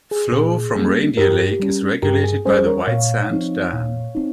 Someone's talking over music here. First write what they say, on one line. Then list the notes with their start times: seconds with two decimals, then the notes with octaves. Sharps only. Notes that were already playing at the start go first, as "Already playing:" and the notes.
Flow from Reindeer Lake is regulated by the Whitesand Dam.
0.11 G#4
0.32 A#2 G#4
0.76 G3 A#3 C#4
1.17 G2 G4 A#4
1.60 G3 C#4
2.02 G2 G4 A#4
2.24 G#4
2.45 G3 C#4 G#4 C5
2.66 A#4 C#5
2.87 A#2 C#5 F5
3.30 F3 C4 D#4
3.73 A#2
4.15 C4 D#4